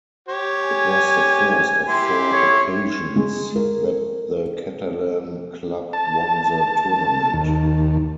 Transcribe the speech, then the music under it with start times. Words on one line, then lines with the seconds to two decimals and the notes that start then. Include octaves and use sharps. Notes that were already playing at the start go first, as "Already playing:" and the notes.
It was the first of four occasions that the Catalan club won the tournament.
0.28 G4 C#5
0.63 G#5
1.88 E4 G4 C6
2.33 C#5
3.16 G#3
3.56 A#4
5.93 A5
7.33 D#2